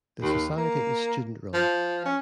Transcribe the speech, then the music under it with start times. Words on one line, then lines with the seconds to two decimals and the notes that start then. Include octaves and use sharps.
The society is student-run.
0.22 D#2
0.57 A#3
1.54 F3
2.05 C#4